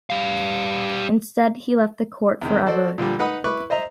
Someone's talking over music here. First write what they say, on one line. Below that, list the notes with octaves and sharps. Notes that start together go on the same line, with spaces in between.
Instead, he left the court forever.
G3 F5
E2 C3 D#3
F#4 A4 C5 D5
A#2 D3 F3 G3
D#4 B4 F#5 B5 D#6
E4 B4 C#6 D6 F#6
C5 D#5 E5 A#5